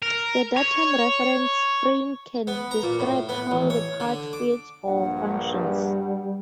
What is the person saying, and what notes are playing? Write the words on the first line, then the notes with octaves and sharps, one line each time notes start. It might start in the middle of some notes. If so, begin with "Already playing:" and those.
The datum reference frame can describe how the part fits or functions.
A#4
C#5
B3
A#5
A#2
A2
B3
A1
C#5
D3
D6
A#1 G2 F#5
G3 F#5